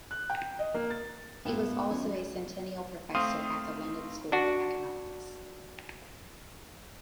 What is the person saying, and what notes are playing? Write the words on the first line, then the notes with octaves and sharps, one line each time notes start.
He was also a Centennial Professor at the London School of Economics.
F#6
G5
D#5
A#3
A6
G2 A#2 B3 E4 F4 G5 E7
F#3 C#4 D#4 G#5
A3 C4 F5 C6 D#6 D#7
D4 F#4